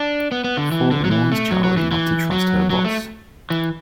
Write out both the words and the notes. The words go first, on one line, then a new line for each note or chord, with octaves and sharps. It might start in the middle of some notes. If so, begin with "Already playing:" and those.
Fort warns Charley not to trust her boss.
Already playing: D4
B3
B3
D3
E3
D3
F#3
E3
A3
F#3
F#3
E3
E3
F#3
F#3
A3
E3